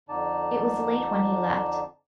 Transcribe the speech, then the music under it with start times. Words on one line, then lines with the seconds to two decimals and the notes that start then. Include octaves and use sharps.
It was late when he left.
0.09 F2 D3 D#4 D5 A5